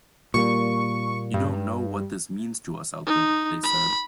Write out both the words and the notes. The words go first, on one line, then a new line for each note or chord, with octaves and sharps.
"You don't know what this means to us out here," they said.
A#2 G3 A#3 C#6
G2
D#4
B5